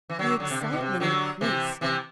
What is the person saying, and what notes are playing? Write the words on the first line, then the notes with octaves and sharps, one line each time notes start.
The excitement increased.
E3
D3 F#3
D3 F#3
C3
D3
B2
C3
D3 F#3
C3 E3
C3 E3